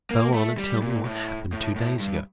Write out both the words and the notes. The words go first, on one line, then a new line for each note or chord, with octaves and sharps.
But go on and tell me what happened two days ago.
A#3
A3
G3
A#2
A2
A2
A2
G2